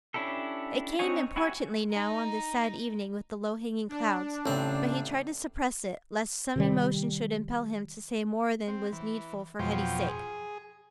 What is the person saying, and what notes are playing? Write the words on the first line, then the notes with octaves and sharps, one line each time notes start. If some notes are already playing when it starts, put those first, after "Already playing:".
It came importunately now, on this sad evening, with the low-hanging clouds, but he tried to suppress it, lest some emotion should impel him to say more than was needful for Hetty's sake.
C#4 D4 E4 G4 A4
C4 D4 D#4 C#5 G#5
E4 F#4 G4 G#5 C#6
D#4 A#5
D4
A1 C#3 C4 C#4
C3 D#3 G3
C4
E3
F2 B2 F3 F#3 C5 G5
G#4